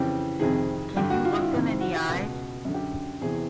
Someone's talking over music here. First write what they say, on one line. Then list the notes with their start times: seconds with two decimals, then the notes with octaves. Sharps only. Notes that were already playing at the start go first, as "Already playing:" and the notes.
Can you look them in the eyes?
Already playing: F2 C#3 E3 G4
0.40 F2 C3 D#3 G#4
0.96 G2 D3 G4
1.10 F#4
1.25 F4
1.33 E4
1.40 F4
1.52 F2 C3 D#3
1.81 F#4
1.95 G4
2.09 C#2 B2 F#4
2.65 F#2 D3
2.74 G4
3.21 E2 C3 E3 G#4